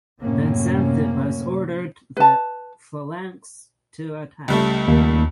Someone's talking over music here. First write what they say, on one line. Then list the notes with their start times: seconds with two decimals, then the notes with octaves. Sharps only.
Then Xanthippus ordered the phalanx to attack.
0.20 F#2 A2 C3 A#3 C#4
2.17 B4 A5
4.48 C#2 G3 A3
4.88 D#2